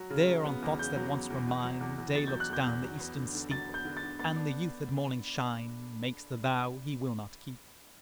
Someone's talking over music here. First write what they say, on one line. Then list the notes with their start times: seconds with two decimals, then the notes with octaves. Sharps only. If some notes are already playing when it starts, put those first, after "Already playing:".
There, on thoughts that once were mine, Day looks down the eastern steep, And the youth at morning shine Makes the vow he will not keep.
Already playing: F#3
0.10 C#3
0.28 F#3
0.46 B3
0.62 E2
0.79 C#3 G6
0.96 F#3
1.13 B3
1.30 E2
1.47 B2
1.64 F#3
1.81 E2
1.98 E2
2.15 B2 A6
2.28 F#3 G6
2.40 F#6
2.50 E2 G6
2.67 E2
2.83 F#3
3.00 B3
3.17 D3
3.35 D3
3.51 F#3 A6
3.69 B3
3.74 G6
3.85 D3
3.97 A6
4.03 D3
4.19 B3 A6
4.36 D4